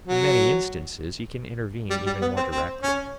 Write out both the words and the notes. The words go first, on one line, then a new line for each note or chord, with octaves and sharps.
In many instances, he can intervene even more directly.
F#3
G3
G3
B3
C4
C4
C#4